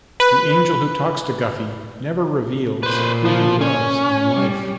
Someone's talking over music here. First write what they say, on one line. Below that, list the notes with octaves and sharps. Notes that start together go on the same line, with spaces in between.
The angel who talks to Guffy never reveals who he was in life.
B4
A#2 B4 C5
F3
C#4
G3